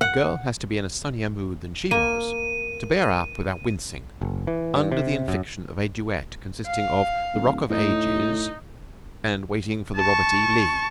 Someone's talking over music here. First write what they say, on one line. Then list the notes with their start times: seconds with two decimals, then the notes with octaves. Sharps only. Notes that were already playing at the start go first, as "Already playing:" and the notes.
A girl has to be in a sunnier mood than she was to bear up without wincing under the infliction of a duet consisting of the Rock of Ages and Waiting for the Robert E. Lee.
0.01 F#5
1.91 A#3 D#7
4.21 F#1
4.47 E3
4.75 G2
4.92 C3
5.28 F#2
6.66 F5
7.34 D1
7.70 A2 D#4
9.97 A5 C#6